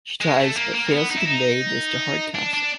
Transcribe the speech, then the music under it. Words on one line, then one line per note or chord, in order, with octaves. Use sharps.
She tries but fails to convey this to Hardcastle.
G#3
A3
A#3
A#3
C4
B3
D#4
E4
D#4
D4
D4